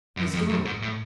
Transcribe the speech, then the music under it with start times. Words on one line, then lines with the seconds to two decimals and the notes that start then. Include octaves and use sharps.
"Has gone."
0.17 F#2
0.33 F2
0.49 F#2
0.65 G#2
0.82 A2